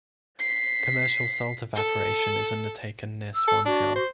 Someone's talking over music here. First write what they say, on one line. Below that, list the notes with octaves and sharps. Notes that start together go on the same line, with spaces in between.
Commercial salt evaporation is undertaken near Swan Hill.
B6 C7
A4
E6
A4
D4 F#4
C5